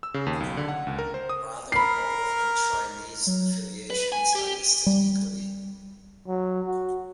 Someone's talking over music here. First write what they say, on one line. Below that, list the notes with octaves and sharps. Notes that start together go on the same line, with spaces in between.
Rather, all of an enshrinee's affiliations are listed equally.
E6
C#3
D#2
B1
D3
F#5
C#2
A#4
C5
D#6
A#4 B5 C7
F#3
B4
G#5
G4
G3
F#3
F#4